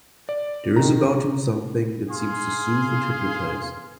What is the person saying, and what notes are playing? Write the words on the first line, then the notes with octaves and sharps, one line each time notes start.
There is about him something that seems to soothe and hypnotize.
D5
D#3 A#5
G#4 F5 C6